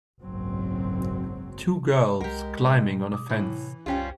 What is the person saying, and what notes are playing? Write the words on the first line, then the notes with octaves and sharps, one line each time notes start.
Two girls climbing on a fence.
F#1 B1 G#2 F#3 C4
C2 G#3 G4 A#4 F#5
A#2
B2 D6 D#6
A2 E3
C3
C2 F#2 G3 C#4 F4 G4 C5 G5